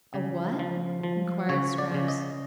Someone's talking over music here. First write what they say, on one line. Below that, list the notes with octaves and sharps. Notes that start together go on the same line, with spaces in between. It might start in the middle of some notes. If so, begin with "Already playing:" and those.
"A what?" inquired Scraps.
C#3
F3
F3
C#3 C#5
D5
C#3
D#5